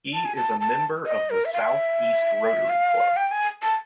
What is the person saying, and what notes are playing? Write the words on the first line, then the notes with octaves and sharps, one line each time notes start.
He is a member of the South East Rotary Club.
A5
G#5
A5
A5
D#5
A#4
E5
F5
E5
F5
G5
G#5
A5